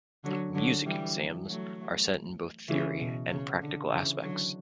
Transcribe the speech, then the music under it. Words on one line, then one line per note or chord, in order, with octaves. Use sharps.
Music exams are set in both theory and practical aspects.
D3 F#3
D3 F#3
E3 G3
F#3 A3
C#3 E3
B2
C#3
D3
C#3 E3
D3 F#3